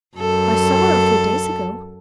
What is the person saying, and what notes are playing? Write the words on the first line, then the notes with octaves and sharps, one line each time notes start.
"I saw her a few days ago."
F#2 A4